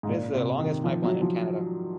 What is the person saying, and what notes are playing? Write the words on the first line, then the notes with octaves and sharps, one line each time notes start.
It is the longest pipeline in Canada.
G#2
A#2
C3
D#3
F3
F#3
F3